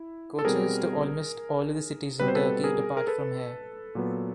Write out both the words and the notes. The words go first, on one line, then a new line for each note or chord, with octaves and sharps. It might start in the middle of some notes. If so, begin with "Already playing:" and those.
Coaches to almost all of the cities in Turkey depart from here.
Already playing: E4
A4
B2 G3 C4 G#4 A#4
B2 G3 C4 B4
C5
A4 B4
G#4 A#4
A#4
A4 B4
A#2 F#3 B3